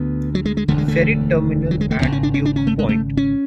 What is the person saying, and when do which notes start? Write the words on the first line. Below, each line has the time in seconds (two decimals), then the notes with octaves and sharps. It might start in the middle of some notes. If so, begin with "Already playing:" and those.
Ferry terminal at Duke Point.
Already playing: D2 D3 B3
0.35 F#3
0.45 G#3
0.57 G#3
0.68 E1 D2 D3 A3
0.78 G#3
0.88 A3
1.71 F#3
1.81 G#3
1.91 A3
2.01 G#1 F#2 C#3 B3
2.12 C#4
2.23 D4
2.34 C#4
2.46 D4
2.56 C#4
2.67 A3
2.79 G#3
2.89 A3
3.17 C#4